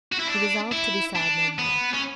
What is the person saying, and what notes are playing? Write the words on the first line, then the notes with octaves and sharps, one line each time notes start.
She resolved to be sad no more.
F#4
E4
D4
E4
D4
B3
C#4